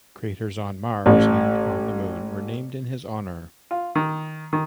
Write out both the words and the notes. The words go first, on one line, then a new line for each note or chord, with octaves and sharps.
Craters on Mars and on the Moon were named in his honor.
A1 A2
F4
D#3
D#3